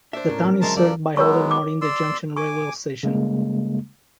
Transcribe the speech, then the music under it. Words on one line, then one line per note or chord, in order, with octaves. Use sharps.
The town is served by older Morinda Junction railway station.
D4 C5 E5
A2 C#4 A#4
F#3 C4
D2 G#3 A#4 E5 A5 C6
F3 C4 A4 A#4 D5 F5
F#3 G#3 B3 A#4 C#5 C#6
D6
D5 C6 E6
G#5 C#6 D6
C#3 G3 G#3 A#3